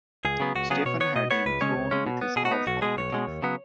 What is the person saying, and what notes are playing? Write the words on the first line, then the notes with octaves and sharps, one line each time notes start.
Stephen had him thrown with his horse off a cliff.
C#2 G#4
C#3 F#3 B3
C#2 F#4
C#3 F#3 B3 G#4
B2 C#5
B3 C#5
B2 D#5
B3 C#5
C#2 B4
C#3 G#3 C#4 C#5
C#2
C#3 G#3 C#4
B2
B3
B2 G#4
F#4
B3 D#4
B1 F#4
B2 G#3 G#4
B1 C#5
B2 G#3
D#2
C#3 F#3 B3